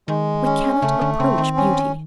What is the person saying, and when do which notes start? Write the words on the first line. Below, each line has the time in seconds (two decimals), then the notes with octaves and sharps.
We cannot approach beauty.
0.08 D#3 G#3
0.45 C#4
0.82 C#3 A3
1.01 D3
1.19 C#3 C4
1.38 D#3
1.57 C#4